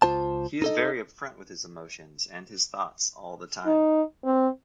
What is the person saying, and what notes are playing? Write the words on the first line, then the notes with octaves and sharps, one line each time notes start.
He is very up-front with his emotions and his thoughts all the time.
C#2 F4 C5 A5
D#4 A4 D#5
D#4
C4